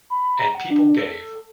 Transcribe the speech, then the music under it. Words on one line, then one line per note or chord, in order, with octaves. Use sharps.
And people gave.
B5
A#5
F#5
D4
A4